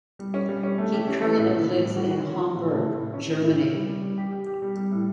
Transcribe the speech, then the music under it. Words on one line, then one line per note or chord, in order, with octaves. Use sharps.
He currently lives in Hamburg, Germany.
G3
C#4
G3
C#4
A3
G4
C#4
E3
A2
A2
A2
G3
F#4
F#4
C#4
F#4
A2
A3
A2
E4
C#4
A2
E4
C#4
G3
G3
G3
G4
G4
G4
G3
G3
A2